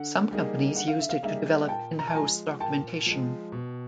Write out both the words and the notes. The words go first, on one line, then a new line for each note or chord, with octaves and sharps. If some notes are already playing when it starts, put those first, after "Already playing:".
Some companies used it to develop in-house documentation.
Already playing: D3 F#5
G3 A#3 D#4 G#4
D3 F#5
F5
E5
F5
G3 A#3 D#4 G#4 E5
A#2 G5 A5
A#5
A5
F3 G#3 G#5 A#5
A#2 G5 A5
F3 G#3
B2